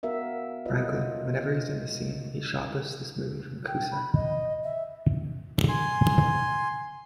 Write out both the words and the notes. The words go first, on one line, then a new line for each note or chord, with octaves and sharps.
Frankly, whenever he's in the scene, he shoplifts this movie from Cusack.
B3 F#4 A#4 E5 F5
F4 F#4 B4 C#5 D#5
G5
B5
D#5
E5
G#5 C6